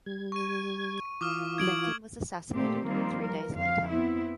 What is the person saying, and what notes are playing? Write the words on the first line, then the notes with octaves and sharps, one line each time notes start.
Lincoln was assassinated three days later.
G3 G#6
C#6 D#7
E3 F4 D6 D#6 F6
G#6 D7 F#7
A#2 A3 C4 G4
D#3 F3 G3 A#3 C4
A#4
F2 F5
B3 C4 E4